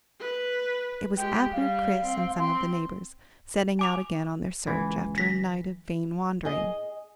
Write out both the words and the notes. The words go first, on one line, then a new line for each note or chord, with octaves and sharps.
It was Abner, Chris, and some of the neighbors, setting out again on their search, after a night of vain wandering.
B4
G#3 G4 G5
G3 F5
C4
C4 C6
G#5 D6 F7
C#2 E3
A#6 B6
G#4 D#5